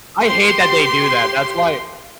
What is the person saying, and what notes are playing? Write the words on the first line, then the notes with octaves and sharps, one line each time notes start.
I hate that they do that, that's why
G4 C6